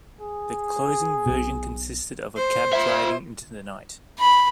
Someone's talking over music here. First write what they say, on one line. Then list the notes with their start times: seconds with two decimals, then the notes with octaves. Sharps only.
The closing version consisted of a cab driving into the night.
0.21 G#4
1.26 B1 B2
2.37 C5
2.73 F4 E5
4.19 B5